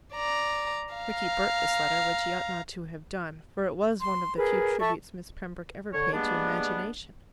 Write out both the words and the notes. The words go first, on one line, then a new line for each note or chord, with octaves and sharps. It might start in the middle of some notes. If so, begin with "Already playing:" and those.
Rickie burnt this letter, which he ought not to have done, for it was one of the few tributes Miss Pembroke ever paid to imagination.
D5 A#5
F5 A#5
C6
G#4 A#4 B4
A4 E5 A5 C#6
D3 C#5
G3 G#3 A#3 B3 D4